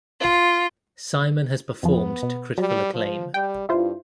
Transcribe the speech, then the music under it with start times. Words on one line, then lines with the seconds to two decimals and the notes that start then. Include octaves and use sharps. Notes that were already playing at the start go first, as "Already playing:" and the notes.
Simon has performed to critical acclaim.
0.20 F4
1.83 F2 F3 B3
2.23 B2
2.58 F#3 G3
2.94 F3
3.34 G3 G5
3.69 G2 E4 F4 C5